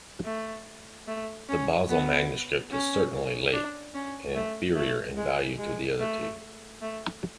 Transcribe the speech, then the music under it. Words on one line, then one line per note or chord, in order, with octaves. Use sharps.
The Basle manuscript is certainly late and inferior in value to the other two.
A3
A3
C#4
B3
C#4
D4
C#4
A3
A3
G#3
G#3
A3
A3